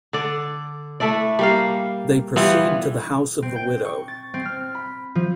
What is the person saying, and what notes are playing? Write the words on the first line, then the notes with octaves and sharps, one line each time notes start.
They proceed to the house of the widow.
D3 D5
A3 D4 E4 D5
G3 A#3 F5
E3 G3 B3 F4
C4
G5
C#6
A6
C4
F6
B5
F3